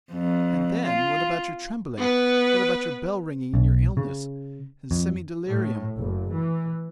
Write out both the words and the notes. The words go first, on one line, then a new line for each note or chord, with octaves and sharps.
And then what about your trembling, what about your bell-ringing in your illness, in semi-delirium?
F2
F4
B3 B4
B1
C#3
F2
A2
F#1
E3